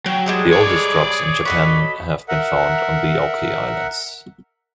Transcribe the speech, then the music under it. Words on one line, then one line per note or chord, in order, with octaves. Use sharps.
The oldest rocks in Japan have been found on the Oki Islands.
F#3 G5
G3 G#3 G#4 A4
C#5 D5
F#4 A4 D#5 B5
A#4 E5 F#5